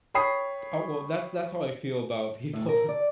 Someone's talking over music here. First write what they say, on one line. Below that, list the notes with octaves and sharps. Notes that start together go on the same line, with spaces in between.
Oh, well, that's that's how I feel about people
C#5 G5 B5 D#6 C7
A2
A#4
D5